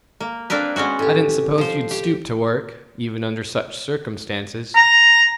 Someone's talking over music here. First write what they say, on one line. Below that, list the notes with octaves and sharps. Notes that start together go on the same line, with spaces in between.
I didn't suppose you'd stoop to work, even under such circumstances.
A#3
A#3 C4 D4 A#4 B4
G#3 B3 C#4 F#4
A2 G4
F3 C5
G4
A#5